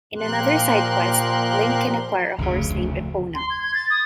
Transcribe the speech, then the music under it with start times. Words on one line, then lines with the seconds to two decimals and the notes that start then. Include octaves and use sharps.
In another side-quest, Link can acquire a horse named Epona.
0.16 A#2 F3 G4 A#4 C6 F#6
2.38 F1 D2 C#3
3.35 C6
3.50 G#6
3.63 G#6
3.75 A6
3.90 D#6